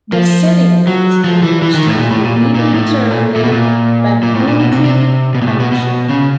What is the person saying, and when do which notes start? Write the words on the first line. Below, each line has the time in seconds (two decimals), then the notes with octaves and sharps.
The city is almost completely surrounded by Bloomfield Township.
0.13 F3
0.87 F#3
1.24 F3
1.42 E3
1.62 E3
1.74 D#3
1.87 A2
1.98 A#2
2.11 A2
2.24 A#2
2.36 A#2
2.55 A#2
2.74 A2
3.11 A#2
3.36 A#2
3.44 B2
3.53 A#2
4.23 A#2
4.35 A2
4.48 A#2
4.60 B2
4.72 C3
4.85 C3
5.35 B2
5.42 A#2
5.47 A2
5.60 B2
5.72 B2
6.09 C#3